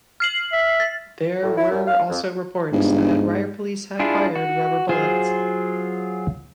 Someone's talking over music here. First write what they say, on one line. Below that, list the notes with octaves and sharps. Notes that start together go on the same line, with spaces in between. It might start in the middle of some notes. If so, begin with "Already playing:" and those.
There were also reports that riot police had fired rubber bullets.
F6 C7 F#7
E5
A6
A2
E4
F#2
F5
F2
G1 G#2
D4 E4 F4 G#4
F#4
F#3 F4 G#4 C5